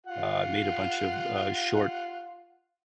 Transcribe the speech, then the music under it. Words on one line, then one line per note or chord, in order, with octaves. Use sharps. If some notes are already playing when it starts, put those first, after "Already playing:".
uh, made a bunch of, uh, short,
F4 F#5